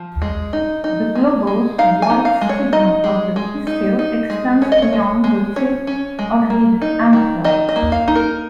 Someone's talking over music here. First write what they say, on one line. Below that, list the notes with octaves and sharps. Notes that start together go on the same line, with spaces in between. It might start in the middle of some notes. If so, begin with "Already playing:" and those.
The globose white stigma of the pistil extends beyond the tip of the anther.
Already playing: F3
G#3
D#4
D#4
G#3
G#3
D#4 F5
G#5
D#4
F5
G#3
C#5
D#4 D#5
G#3
G#3
D#4
D#4
G#3
C#4 C#5
D#5
C#5
G#3
G#3
C#4 C#5
C#4
G#3
A#3
D#4
D#3
D#3 D#5
D#5
A#3
F5
D#4
A#4